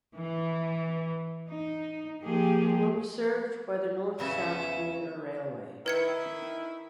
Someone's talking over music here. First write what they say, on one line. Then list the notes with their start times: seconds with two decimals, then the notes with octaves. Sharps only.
It will be served by the North–South Commuter Railway.
0.15 E3
1.49 D#4
2.21 F3 A#3 G4 G#4
4.19 E2 C#3 C#4 E4 E5
5.86 D#3 E4 B4 G#6 C#7